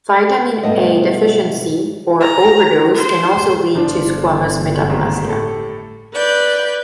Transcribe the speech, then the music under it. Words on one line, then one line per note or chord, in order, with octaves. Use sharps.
Vitamin A deficiency or overdose can also lead to squamous metaplasia.
G2 B2 A3 B3 D#5 G5
A#5
C5
G1 F3 D4 F4
G#1 D#2 G#2
A2 G4 A4
B4 D5 G6